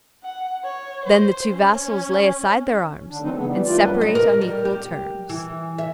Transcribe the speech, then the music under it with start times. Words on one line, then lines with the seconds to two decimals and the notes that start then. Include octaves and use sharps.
Then the two vassals lay aside their arms and separate on equal terms.
0.24 F#5
0.64 C#5
1.05 C5
1.53 C#4
3.10 D3 D4
3.23 E3 F#3 A3 C4 D4 D#4
3.34 C#3 B3
3.46 E3 G3
3.66 E3 A3 F4 D5
3.77 F#2 F#3 G3 D4 B4
4.01 D#5
4.15 A#4
4.41 G3
4.65 G4
5.29 E3
5.78 E5